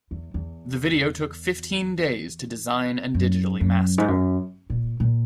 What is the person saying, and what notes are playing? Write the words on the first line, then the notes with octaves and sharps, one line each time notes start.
The video took fifteen days to design and digitally master.
E2
E2
F#2
F#2
G#2
F#2
A#2
A#2